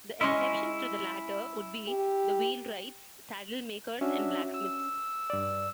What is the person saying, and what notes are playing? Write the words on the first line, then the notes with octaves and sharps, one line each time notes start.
The exceptions to the latter would be the wheelwrights, saddle-makers and blacksmiths.
G#3 C#4 E4 D#5 C6 C#6
G4
C#4 D4 F#4 E5
E6
G2 D5